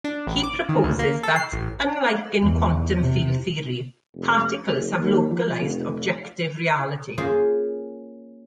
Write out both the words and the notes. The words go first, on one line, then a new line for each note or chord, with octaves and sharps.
He proposes that, unlike in quantum field theory, particles have localized, objective reality.
D4
A1
D6
D#3
D2
A#3
A4
C7
A1
E2
C3
F1
F#1
D#2
F3
F1
A#3 C#4 F4 G#4 C5